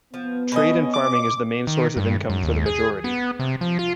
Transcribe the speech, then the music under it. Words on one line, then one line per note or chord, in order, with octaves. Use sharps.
Trade and farming is the main source of income for the majority.
F3 B3
B2 C#4 D#5
D6
D#3
G2
F#2
D#2
G#4
B3
C3
F3
F4